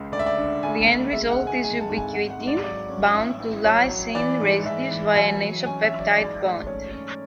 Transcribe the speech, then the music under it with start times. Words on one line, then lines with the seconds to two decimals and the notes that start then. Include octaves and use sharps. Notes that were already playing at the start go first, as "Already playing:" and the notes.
The end result is ubiquitin bound to lysine residues via an isopeptide bond.
Already playing: C#2
0.12 D2 D5
0.19 E5
0.26 D5
0.38 D3
0.63 D2 G#5
0.88 D2
1.13 G#3 E5
1.30 F#5
1.38 G#3
1.47 G#5
1.64 G#3 G#5
1.80 A5
1.89 G#1
1.97 G#5
2.14 G#2 F#5
2.30 F#5
2.39 G#2
2.48 D5
2.64 F#3 D5
2.89 C#4
3.14 A1
3.40 A1
3.65 F#3 C#5
3.89 F#3
4.15 E3 D5
4.40 G#2
4.66 E3 E5
4.91 E3
5.16 F#3 G#5
5.42 F#3
5.66 C#4 G#5
5.83 E5
5.91 F#3
6.00 D5
6.17 G#2 D5
6.42 A3
6.67 C#4 C#5
6.92 C#4